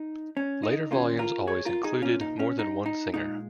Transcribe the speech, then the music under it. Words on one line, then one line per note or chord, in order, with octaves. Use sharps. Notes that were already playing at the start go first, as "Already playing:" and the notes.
Later volumes always included more than one singer.
Already playing: D#4
C#4
D#4
D#2 C#3 A#3 C#4 F4
F4 A#4
G#4 C#5
F4 A#4
D#4 G#4
A#2 A#3 C#4 F4
D#4
C#4
D#4
D#4
A#2 G#3 D#4